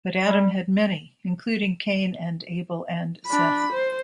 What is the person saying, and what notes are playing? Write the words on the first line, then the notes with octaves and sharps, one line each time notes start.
But Adam had many, including Cain and Abel and Seth.
G3
D4 B5
C5